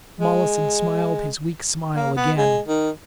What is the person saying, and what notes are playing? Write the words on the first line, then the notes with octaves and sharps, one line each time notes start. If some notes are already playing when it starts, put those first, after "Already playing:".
Mollison smiled his weak smile again.
G#3
A#3
B3
G#3
D#3